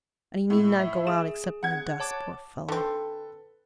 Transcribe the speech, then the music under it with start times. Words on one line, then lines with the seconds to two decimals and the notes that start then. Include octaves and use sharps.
'And he need not go out, except in the dusk, poor fellow!'
0.50 A2
0.80 E5
1.07 G#4 E7
1.63 F#5 G#6
2.00 C#5 A5 D6
2.69 D3 C4 A4 B4